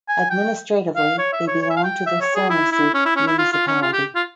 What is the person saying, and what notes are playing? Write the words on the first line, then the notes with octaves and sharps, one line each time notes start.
Administratively they belong to the Sermersooq municipality.
G#5
G5
F5
C#5
E5
C#5
C#5
E5
F5
G5
E5
C#5
G#4
E4
E4
C#4
E4
C#4
E4
F4
F4
C#4
F4
G4
F4